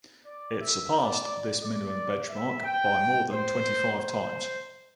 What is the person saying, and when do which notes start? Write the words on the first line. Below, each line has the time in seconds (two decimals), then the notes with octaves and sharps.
It surpassed this minimum benchmark by more than twenty-five times.
0.26 D5
0.60 E5
0.94 D5
1.62 D5
2.30 E5
2.64 G5
3.32 C5
4.00 C5